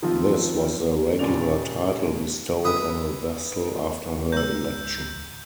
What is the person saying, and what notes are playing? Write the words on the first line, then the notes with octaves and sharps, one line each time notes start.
This was the regular title bestowed on a Vestal after her election.
D#3 F3 C4 F4
D#2 A#2 C#3 D5 F7
D#4 B4 E5 D#6
C#2 G#2 A#5 E6 G6